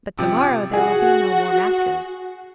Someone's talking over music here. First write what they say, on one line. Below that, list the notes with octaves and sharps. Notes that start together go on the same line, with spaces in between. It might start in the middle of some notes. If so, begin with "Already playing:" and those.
But to-morrow, there will be no more maskers.
C3 F3
F#4 G#4